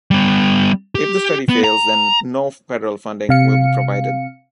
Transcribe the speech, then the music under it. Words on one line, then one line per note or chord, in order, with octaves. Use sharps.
If the study fails, then no federal funding will be provided.
G3 B3
G4
B3
A#5
C3 F5 C#7